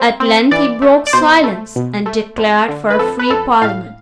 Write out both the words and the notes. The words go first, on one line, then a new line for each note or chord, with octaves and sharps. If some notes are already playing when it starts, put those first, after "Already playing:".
At length he broke silence, and declared for a free Parliament.
Already playing: C4
C4
E3 D5
A3
D5
B2 C5
A3
B2
A3
F2
D3
B4
F2 A4
B4
F2 A4
A2 F5